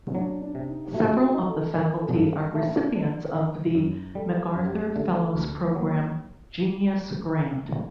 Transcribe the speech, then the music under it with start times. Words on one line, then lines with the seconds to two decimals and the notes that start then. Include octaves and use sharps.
Several of the faculty are recipients of the MacArthur Fellows Program "genius grant".
0.15 F#3 D4
0.41 D4
0.55 C3
0.68 D#4
0.85 G4
0.94 A3 F#4
1.21 F#4
1.34 D#4
1.49 A4
1.75 D#3 A#4
2.01 A4
2.15 G2
2.55 A3
2.95 D4
3.35 D#3
3.75 F#2
4.15 G3 A4
4.42 G4
4.56 F#2
4.68 G4
4.95 D3 A3
5.35 D2
5.75 F#3 A#3